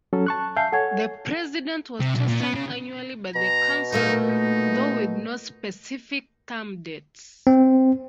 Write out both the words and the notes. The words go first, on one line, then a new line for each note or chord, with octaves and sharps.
The president was chosen annually by the council, though with no specific term dates.
F#3 C#4 A4
A5 C#6 F#6
E5 F5 G#5 A5 G6 C7
A4 C#5 F#5 G#5 G#6
C3
B1
A#2
B3
C#3
B2 A#5
A#2 A3 A#3 D#4
D#4
C4